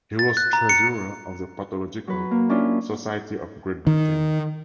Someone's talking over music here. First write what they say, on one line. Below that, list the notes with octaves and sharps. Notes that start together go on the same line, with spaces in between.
He was treasurer of the Pathological Society of Great Britain.
A6
F#6
A#5
C#7
F#3 B4
A#3
C#4 D4 E4 F4
D#3